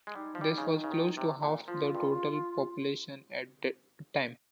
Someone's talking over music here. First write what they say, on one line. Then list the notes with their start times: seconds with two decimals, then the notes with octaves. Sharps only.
This was close to half the total population at the time.
0.07 G#3
0.15 G3 D#4
0.35 F3
0.41 G3
0.58 C#3
0.67 D#3
0.84 C#3
0.92 D#3
1.17 C3
1.43 A#2
1.68 F3 F4
1.95 G2